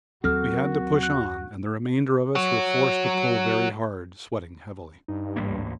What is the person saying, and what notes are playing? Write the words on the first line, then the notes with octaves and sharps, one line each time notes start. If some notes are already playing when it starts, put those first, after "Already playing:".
We had to push on, and the remainder of us were forced to pull very hard, sweating heavily.
D#2 F#3 C4 F#4 A4 F6
A#4
F#6
F#4 C#5
G2 D#4
A1 G#2 A#3
D2